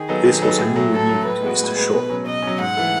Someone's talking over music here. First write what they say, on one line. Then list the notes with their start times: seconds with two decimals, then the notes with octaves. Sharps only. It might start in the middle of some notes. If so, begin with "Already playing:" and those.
This was a new view to Mr. Shaw.
Already playing: D#3 G#4
0.09 F#3 B3 D#4 A4
0.26 D#3
0.42 F#3 B3 D#4 A4
0.59 A2
0.75 F#3 A3
0.92 A2 A4
1.09 F#3 A3
1.25 A2 B4
1.42 G#3 B3 F#4
1.60 A2
1.76 G#3 B3 F#4
1.93 B2
2.09 F#3 C#4
2.26 B2 D#5
2.42 F#3 C#4
2.60 G#2 F#5
2.76 E3 A3 E4 A4